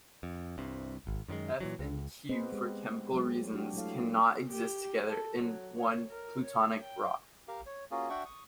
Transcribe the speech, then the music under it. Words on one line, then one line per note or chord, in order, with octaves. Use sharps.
F and Q for chemical reasons can not exist together in one plutonic rock.
F2
C2 G2 C3
G#1
F#2 D#3 F3 G#3
A#2 E3 F#3
C#2
B3 C4 G#4 B4 C5 D#5
G#3 G4
F#3 G#3 G4
D4 F#4 G4
F#3 A3 E4 A4 C#5 F5
G4
A4
F#3
C#5
A#4
C#5
G5
G4 A#4 F5
C#5
A#3 C#4 F4 F#4 G#4
D4 F#4 E5 F#5 G5 C#6
C#6 D#6